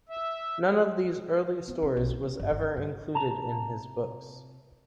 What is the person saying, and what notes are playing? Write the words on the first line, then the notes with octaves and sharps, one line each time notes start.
None of these early stories was ever included in his books.
E5
B3
C#4
B1
D#3
C#4
G1
G1
C#3
G2
C3 A5 A#5